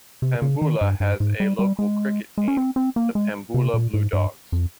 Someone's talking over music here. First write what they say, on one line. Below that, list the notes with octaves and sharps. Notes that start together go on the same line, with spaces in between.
Pambula has a local cricket team, the Pambula Bluedogs.
C3
C#3
D#3
G2
G2
G#2
G3
G3
G#3
G#3
C#4
C4
C4
A#3
G#3
C3
A#2
G#2
G2
F2